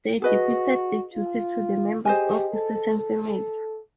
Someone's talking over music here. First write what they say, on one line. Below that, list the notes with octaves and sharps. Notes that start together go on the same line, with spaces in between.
They deputed the duty to the members of a certain family.
F#4 G#4 B4 D#5
F4
G4 G#4 C5 D#5 G#5
A4
A4